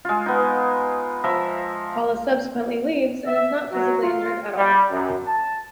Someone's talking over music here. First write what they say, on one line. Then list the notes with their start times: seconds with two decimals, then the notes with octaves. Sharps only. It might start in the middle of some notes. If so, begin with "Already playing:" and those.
Paula subsequently leaves and is not physically injured at all.
0.05 G#3 F4
0.26 B3 D#4
1.24 F3 E5 A#5
3.26 E5
3.72 F#3
4.01 F4
4.57 G3
4.90 F#2
5.26 A5